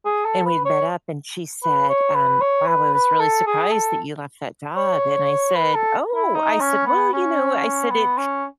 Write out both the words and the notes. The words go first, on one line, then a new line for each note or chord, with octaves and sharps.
And we met up, and she said, um, "Wow, I was really surprised that you left that job," and I said, "Oh," I said, "Well, you know," I said, "It
G#4
A4
B4
C#5
B4
C#5
B4
C#5
B4
B4
A4
G#4
A4
C#5
B4
A4
E4
D#4
C#4
B3
C#4
B3
C#4